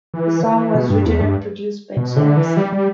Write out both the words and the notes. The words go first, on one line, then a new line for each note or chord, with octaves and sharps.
The song was written and produced by Jackson.
E3
E3
B2
G2
E2
G2
B2
D3
E3
G3
G3